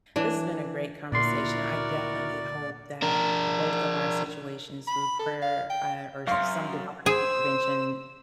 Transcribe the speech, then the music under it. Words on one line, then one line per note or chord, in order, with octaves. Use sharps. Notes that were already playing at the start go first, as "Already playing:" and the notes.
This has been a great conversation, I definitely hope that both of our situations through prayer, a or some divine intervention
E3 D4
D2 A#2 E4 F#4 A#4 D5 C6
D4 A#4
B5
A4
F5
G5
F#2 F5 C6 C#6
G#4 C5 E6